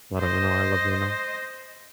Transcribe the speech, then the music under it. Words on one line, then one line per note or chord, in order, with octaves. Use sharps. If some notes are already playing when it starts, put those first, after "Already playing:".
A lotta UNO; I love UNO.
C5 D#5